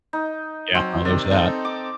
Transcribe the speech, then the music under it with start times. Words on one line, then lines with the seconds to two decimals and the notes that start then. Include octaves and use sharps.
Yeah, well, there's that.
0.13 D#4
0.75 F#3 C4
1.05 C3 D#3 D5
1.31 C4 D#4 A4
1.65 D6